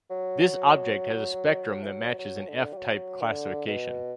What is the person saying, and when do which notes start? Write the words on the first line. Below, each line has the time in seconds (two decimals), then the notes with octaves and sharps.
This object has a spectrum that matches an F-type classification.
0.10 F#3
1.83 E3
1.88 F#3
2.18 F#3
2.48 D3
2.73 G3
2.77 F#3
3.22 D3
3.67 B2